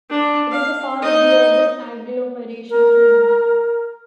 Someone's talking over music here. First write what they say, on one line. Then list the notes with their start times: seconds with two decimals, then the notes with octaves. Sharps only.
It is part of the urban agglomeration of Lisbon.
0.10 D4
0.51 F5
1.02 D#4 D#5
2.70 A#4